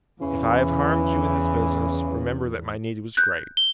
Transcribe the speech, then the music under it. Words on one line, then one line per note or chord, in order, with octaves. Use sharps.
If I have harmed you in this business, remember that my need was great.
E2 C#3 E3
F#6 G6
G7